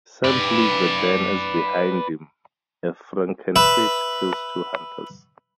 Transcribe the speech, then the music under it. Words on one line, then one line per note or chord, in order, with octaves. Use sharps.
Sam flees the den as behind him a frankenfish kills two hunters.
B4 D5
B4 E5